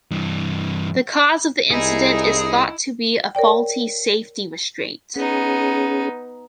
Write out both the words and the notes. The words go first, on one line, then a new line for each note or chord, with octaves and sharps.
The cause of the incident is thought to be a faulty safety restraint.
G2 E3
C2 D#4 E4 G#4
A#4 C#5 D5 G5
B3 C#4 D#4 G#4